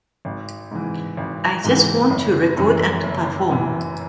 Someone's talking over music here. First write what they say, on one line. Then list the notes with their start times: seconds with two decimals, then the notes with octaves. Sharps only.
I just want to record and perform.
0.25 G#1
0.71 G#2 E3
1.17 G#1
1.64 G#2 E3
2.10 F#1
2.57 F#2 E3
3.03 F#1
3.50 F#2 E3